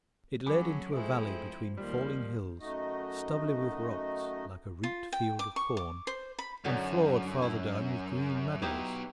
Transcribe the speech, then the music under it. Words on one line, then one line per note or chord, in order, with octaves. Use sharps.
It led into a valley between falling hills, stubbly with rocks like a reaped field of corn, and floored farther down with green meadows.
F#3 A3 C#4 G#4 B5 D6
F3 G#3 A3 C4 E4
D#2 D#3 F3 G3
F#2 A3 D#4 F#4 D#5
F4
G5
D6
C#6
D6
C5
B5
F#2 D3 F#3 D#4
E4
F#3 B3 D#4 E4 G4